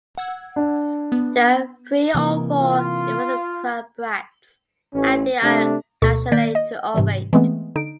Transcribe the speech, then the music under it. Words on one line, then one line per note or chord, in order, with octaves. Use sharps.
There are three or four involucral bracts and they are lanceolate to ovate.
F#5 E6 G#6
D4
B3
C3 E3 A#3
F4
A1 C#4
C3 A3 D4 A4
D2 B2 A4 C#6
D#3 A#3 D5 G6 B6
D#5
G#2 C3 E3 G3
E3 G#3 A3 B3 C4
D3 D#4 D7